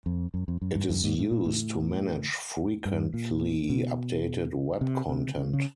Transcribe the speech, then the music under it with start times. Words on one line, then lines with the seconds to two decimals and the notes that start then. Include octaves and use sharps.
It is used to manage frequently-updated Web content.
0.06 F2
0.34 F#2
0.48 F2
0.62 F#2
0.76 G2
0.90 F#2
1.04 G#2
1.18 A2
1.31 A#2
1.46 A2
2.85 G2
3.14 A#2
3.69 B2
4.81 C3
5.09 C3
5.37 C#3
5.53 C#3